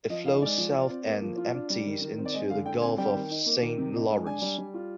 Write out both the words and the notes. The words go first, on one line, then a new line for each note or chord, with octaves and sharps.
It flows south and empties into the Gulf of Saint Lawrence.
F3 D#5
D#4 F5
G#3 D5
F3
F4
C4
A#3
F3
F4
D4
G3
D#3
D#3
C4
D5
G#3 D#5
D3 F5
D3 G5
C4 G#5
G3 G5
D#3
D#4
A#3
D#3
C3
D#4
G#3
D4 G#5
G3
G3
F4